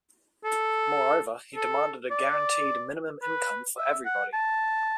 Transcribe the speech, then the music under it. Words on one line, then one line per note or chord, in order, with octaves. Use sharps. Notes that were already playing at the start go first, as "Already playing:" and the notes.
Moreover, he demanded a guaranteed minimum income for everybody.
A4
A4
D5
B4
E5
F#5
A5